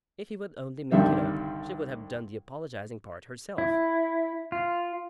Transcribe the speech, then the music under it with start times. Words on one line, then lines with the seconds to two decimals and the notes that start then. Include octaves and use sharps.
If he would only make it up, she would have done the apologising part herself.
0.92 C2 G2 D3 D#3 G3 E5
3.58 E4
4.52 F4